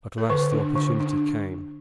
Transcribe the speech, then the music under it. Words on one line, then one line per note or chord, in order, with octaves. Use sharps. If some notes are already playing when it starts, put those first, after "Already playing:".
At last the opportunity came.
A4
D3 B4
D4
D3
D4